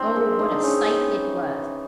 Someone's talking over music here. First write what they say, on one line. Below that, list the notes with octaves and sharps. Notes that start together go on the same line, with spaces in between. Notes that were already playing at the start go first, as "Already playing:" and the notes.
Oh, what a sight it was!
Already playing: E3 C4 D4
G#3
C4 D#4
D4
E3 C#4 D#4
E3